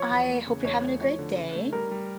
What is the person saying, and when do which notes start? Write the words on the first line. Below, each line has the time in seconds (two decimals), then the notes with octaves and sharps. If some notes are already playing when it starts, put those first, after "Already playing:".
I hope you're having a great day.
Already playing: F3 C#5
0.11 E2
0.29 A#3
0.47 C#3
0.64 E2 C#5
0.83 A3
1.01 F3 C#5
1.19 D3
1.37 C#3
1.56 A3
1.73 G3 A#4
1.91 G3